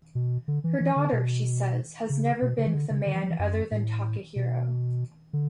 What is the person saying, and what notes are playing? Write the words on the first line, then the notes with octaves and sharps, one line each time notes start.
Her daughter, she says, has never been with a man other than Takehiro.
B2
D3
E3
E3
D3
B2
C#3
B2
C#3
E3
D3
C#3
D3
E3
F#3
E3
F#2
A2
B2
D3